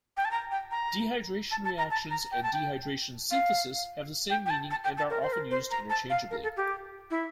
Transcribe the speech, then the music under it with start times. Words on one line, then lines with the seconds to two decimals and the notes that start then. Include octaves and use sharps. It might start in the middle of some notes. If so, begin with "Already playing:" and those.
Dehydration reactions and dehydration synthesis have the same meaning, and are often used interchangeably.
0.17 G5
0.25 A5
0.31 A#5
0.51 G5
0.71 A#5
1.51 A5
1.65 A5
1.78 A#5
1.91 A5
2.10 A#5
2.32 G5
2.43 A5
2.54 G5
3.31 F5
4.30 G5
4.46 G5
4.50 A5
4.71 A5
4.84 G5
4.98 A5
5.10 A#4
5.22 C5
5.33 A#4
5.51 C5
5.71 A#5
5.90 A5
6.10 F5
6.31 A#4
6.43 A4
6.57 G4
7.11 E4